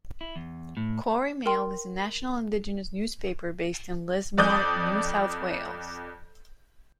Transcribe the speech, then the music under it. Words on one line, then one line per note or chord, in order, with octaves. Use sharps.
Koori Mail is a national indigenous newspaper based in Lismore, New South Wales.
E4
E2
A2
A#4 G5 C6
F2 D5 D#6 G6